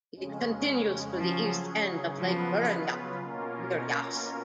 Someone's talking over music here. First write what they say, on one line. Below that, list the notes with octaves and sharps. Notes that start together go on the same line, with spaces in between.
It continues to the east end of Lake Burrunjuck near Yass.
F2 C#3 G#3 C#4
C#3 F3 F#3 C#4 G#4
C#3 F3 F#3 B3 F4 B4
B2 A#3 C#4 F4 A#4